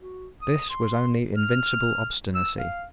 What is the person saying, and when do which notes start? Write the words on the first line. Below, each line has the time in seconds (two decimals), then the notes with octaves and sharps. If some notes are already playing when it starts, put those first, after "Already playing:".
This was only invincible obstinacy.
0.02 F#4
0.42 D#6
0.70 C6
1.37 F6
2.35 E6
2.59 F5